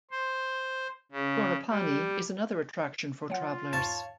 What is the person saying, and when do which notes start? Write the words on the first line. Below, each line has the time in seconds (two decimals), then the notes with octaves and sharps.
Ghorepani is another attraction for travelers.
0.11 C5
1.12 C#3
1.69 G3
3.30 F#3 F4 F#5
3.73 E2 G#2 C#5 F5 A5